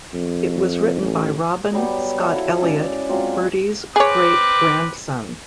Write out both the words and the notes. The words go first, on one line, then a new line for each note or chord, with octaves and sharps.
It was written by Robin Scott-Elliot, Bertie's great-grandson.
F2
A1
F#3 G3 B3
A4 C5 E5 F#5
E4 F#4 A4 F5
G#3 C#4 D5
F#3 G#3 C4 F4
C4 G#4 B4 C#5 D6